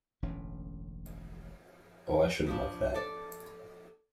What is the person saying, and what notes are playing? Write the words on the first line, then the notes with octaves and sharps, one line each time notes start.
Oh, I shouldn’t like that!
E1 A1 D3 C#4
C#3 F3 D4
A4 D5